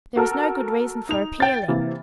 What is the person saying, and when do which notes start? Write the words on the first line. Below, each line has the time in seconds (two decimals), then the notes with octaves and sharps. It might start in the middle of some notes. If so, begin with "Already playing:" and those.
There is no good reason for appealing.
0.16 F#4 A4 A#4
1.09 D#4 F7
1.40 G5 A6
1.68 C3 E3 A#3